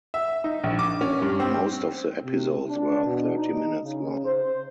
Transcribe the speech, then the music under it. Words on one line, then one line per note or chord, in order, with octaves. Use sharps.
Most of the episodes were thirty minutes long.
E5
D#4
A#1
D6
C#4
G2
C4
C3
D4
B2
D#4
C#3
C5